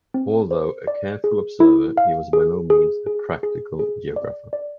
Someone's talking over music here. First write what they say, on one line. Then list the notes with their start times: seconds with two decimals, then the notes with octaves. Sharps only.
Although a careful observer, he was by no means a practical geographer.
0.14 C4
0.51 C5
0.87 D5
1.24 G#4
1.60 E4
1.98 F5
2.33 G#4
2.70 G#4
3.06 G#4
3.43 G#4
3.79 G#4
4.16 D5
4.53 D5